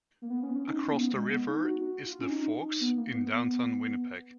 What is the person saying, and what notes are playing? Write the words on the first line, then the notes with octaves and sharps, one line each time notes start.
Across the river is The Forks in Downtown Winnipeg.
A#3
B3
C#4
B3
C#4
D#4
C#4
A#3
B3
G#3
B3
D#4
F#4
F#4
F4
C#4
D#4
B3
A#3
B3
B3